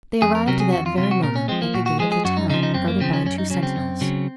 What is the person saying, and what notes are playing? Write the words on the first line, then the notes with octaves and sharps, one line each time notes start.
They arrived that very moment at the gate of the town, guarded by two sentinels.
F2 G#4
A#4
C3 F#3 A#4
G#4
F2 F#4
F4
C3 F4
F#3
F#4
A#2 A#4
C#4
F3 G#3 C4
A#3
A#2 F#4
F#4
F3 G#3 G#4
G#4
F#2 F#4
D#4
C#3 F3 D#4
D#4
F#2 C4
A#3
C#3 F3 C4
C#4
F#2 C#4
D#4
C#3 F#3 C#4
C4
F#2
C#3 F#3